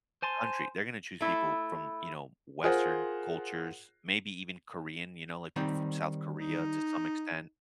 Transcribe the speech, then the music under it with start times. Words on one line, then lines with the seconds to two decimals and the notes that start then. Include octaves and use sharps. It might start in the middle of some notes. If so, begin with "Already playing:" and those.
country. They're gonna choose people from, you know, Western cultures, maybe even Korean, you know, like, people from South Korea to some extent.
0.22 C5 G#5 A5 C6
1.21 A3 E4
2.64 F4 G#4 A#4 C5 F#5
5.56 D#3 G3 C4
6.40 D#4